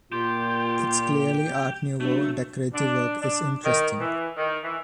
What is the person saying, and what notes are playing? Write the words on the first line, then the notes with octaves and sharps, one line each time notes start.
Its clearly art-nouveau decorative work is interesting.
A#2 F4 G4
F#3 A3 A#3 D4 F#4
D4
D4
D#3
E3
D#3
E3